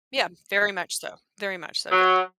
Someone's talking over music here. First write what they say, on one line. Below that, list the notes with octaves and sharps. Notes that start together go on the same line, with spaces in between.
Yeah, very much so, very much so, yeah
F#3